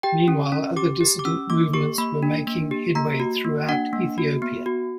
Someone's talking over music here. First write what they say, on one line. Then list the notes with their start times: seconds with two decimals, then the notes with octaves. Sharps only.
Meanwhile, other dissident movements were making headway throughout Ethiopia.
0.03 G4 G5
0.28 C#4
0.52 C#4
0.76 G4 D6
1.01 G4
1.19 D6
1.25 C#4 E6
1.50 A#3 D6
1.73 G4 C#6
1.98 A#3 B5
2.23 D4
2.47 A#3
2.71 G4
2.95 A#3 A#5
3.20 F#4
3.44 A#3
3.69 D4 F#5
3.93 A#3
4.18 F#4
4.42 B3
4.66 F#4